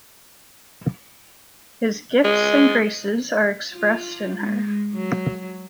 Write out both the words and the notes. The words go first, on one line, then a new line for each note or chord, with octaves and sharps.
His gifts and graces are expressed in her.
G#3
F4
G#3
F#3